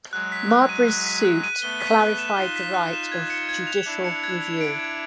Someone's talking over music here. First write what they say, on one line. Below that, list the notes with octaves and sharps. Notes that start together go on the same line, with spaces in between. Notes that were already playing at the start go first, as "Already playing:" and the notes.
Marbury's suit clarified the right of judicial review.
F#3 G#3 F#6
B6
F#6
D#7
F#6
B6
F#6
D#7
A3 B3 G7
B6
F#6
E7
D#4 F4 G7
B6
F#6
E7
G#6
C#7
G#6
F7
D4 E4 G#6
C#7
G#6
F7
D7
G#6